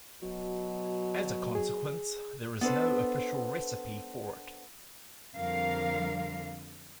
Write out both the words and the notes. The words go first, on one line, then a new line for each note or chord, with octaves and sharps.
As a consequence, there is no "official" recipe for it.
B2 F#3
G#4
B3 D4 A4 B4 C5
F2 D3 G3 A#4 F5